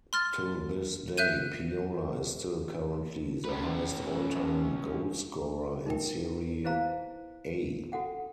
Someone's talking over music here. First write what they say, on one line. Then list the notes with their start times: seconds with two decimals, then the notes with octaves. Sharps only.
To this day, Piola is still currently the highest all-time goalscorer in Serie A.
0.13 C6 F6 A6
1.17 E5 F#6 G6 D#7
3.45 C#4 B4
5.86 D#4 A#4 G5
6.64 E4 B4 C5 F5 A#5
7.92 F#4 A4 F#5 G5